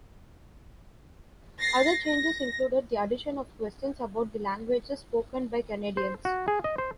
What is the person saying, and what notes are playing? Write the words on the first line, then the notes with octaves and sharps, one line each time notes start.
Other changes included the addition of questions about the languages spoken by Canadians.
A6 A#6 C7
A#6
C5
F#4
G#4
D#5
C5